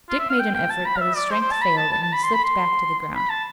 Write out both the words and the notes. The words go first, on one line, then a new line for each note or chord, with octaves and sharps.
Dick made an effort, but his strength failed and he slipped back to the ground.
F4
E5
F5
G5
G5
A5
B5
F5
E5
D5
C5
C5
A5
B5
A5
A5
A5
B5
C6
B5
C6
B5
A5